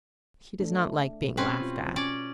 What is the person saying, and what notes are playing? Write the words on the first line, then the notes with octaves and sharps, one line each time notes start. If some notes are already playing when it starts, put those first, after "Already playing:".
He does not like being laughed at.
A3 D4
B2
C4 C#4 G4 B4 C#5
F4
C#4 D5